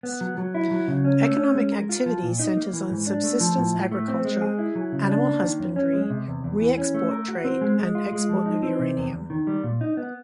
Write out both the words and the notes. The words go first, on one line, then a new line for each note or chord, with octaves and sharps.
Economic activity centres on subsistence agriculture, animal husbandry, re-export trade, and export of uranium.
B3
F#3
F#3
E4
F#3
C#3
C#4
A3
C#4
G#3
A#4
F4
F3
A#2
D#4
A#3
E3
G#2
D4
A3
F3
A2
A2
A3
C4
G#3
G#4
E4
F#3
C#3
D4
A#3
D#3
F#2
C#4
G#3
C3
E2
E2
E3
C#4
A3
A#4
F#4
C4
G#3
G#3
F4
G#3
F3
D#4
C4
C3
E2
E2
D#3
G3
A#2
D#4
B3